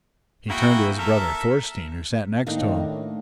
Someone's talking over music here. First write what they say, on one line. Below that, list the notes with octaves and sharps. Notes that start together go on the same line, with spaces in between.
He turned to his brother Thorstein who sat next to him.
A#3 E4 F#4 G#4 G5
A4 A#4 E5
A2 D#3 A#3 D4 D#4